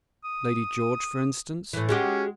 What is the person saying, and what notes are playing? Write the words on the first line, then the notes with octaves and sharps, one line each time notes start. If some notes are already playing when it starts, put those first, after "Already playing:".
"Lady George for instance."
D#6
A2 E3
G#3 C#4 F#4 G4